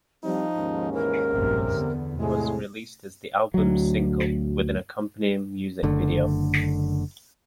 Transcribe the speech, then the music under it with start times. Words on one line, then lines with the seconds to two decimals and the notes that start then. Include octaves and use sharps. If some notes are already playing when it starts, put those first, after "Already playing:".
"Lozin' Must" was released as the album's single, with an accompanying music video.
0.24 F3 G3 C4 D#4
0.56 D#2 G#2 C#4
0.93 E3 A#4
1.32 F1 A#1 G2 C3
1.72 E2 D3 B3
2.19 A2 C3 G#3 G#4
3.54 D2 F#3
5.83 F#1 D3 A3